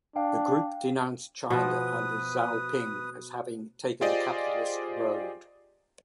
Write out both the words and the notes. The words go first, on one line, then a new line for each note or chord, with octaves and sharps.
The group denounced China under Xiaoping as having taken the "capitalist road".
D4 F5 G5
B2 F3 B4 D#6
F4 G4 G#4 C5 D5 D#5